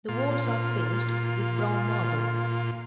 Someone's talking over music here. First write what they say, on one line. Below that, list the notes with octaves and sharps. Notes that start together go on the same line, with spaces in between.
The walls are faced with brown marble.
A#2 F4